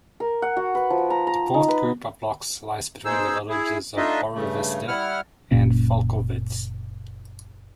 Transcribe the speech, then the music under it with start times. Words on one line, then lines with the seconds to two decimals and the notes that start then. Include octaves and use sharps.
The fourth group of rocks lies between the villages of Borovitsa and Falkovets.
0.20 A#4
0.42 F#5
0.57 F#4
0.75 B4
0.90 F3
1.10 A#5
1.27 A#5
1.54 D#4
1.68 B4
3.05 B2 D#4 G#4 C5 E6
3.49 E4 G#4
3.97 A3 D4 D#4 F4 D#5 E5
4.34 G2 C#3 A3
4.88 G3 E4 F#5 F6
5.51 F#1 A#2 A#3 C#4